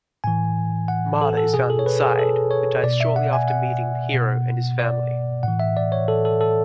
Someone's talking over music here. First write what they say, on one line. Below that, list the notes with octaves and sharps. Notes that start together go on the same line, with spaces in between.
Mada is found inside, but dies shortly after meeting the Hero and his family.
A2 E3 G#5
F#5
A4
A4
B2 G#4
A4
C#5
B4
G#4
A4
C#5
B2 D5
E5
F#5
G#5
F#5
B2
D5
A2 E3 F#5
E5
D5
C#5
A4
A4
A4